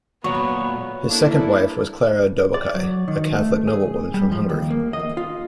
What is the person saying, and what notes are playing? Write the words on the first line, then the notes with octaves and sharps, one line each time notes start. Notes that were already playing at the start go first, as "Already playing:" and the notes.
His second wife was Clara Dobokai, a Catholic noblewoman from Hungary.
A#2 F#3 B3 C#5 C#6
A#3 D4 E4 A4
D5
F#3
D#3
A3
G#4
G3
F3
D#2
A#3
D#5
F4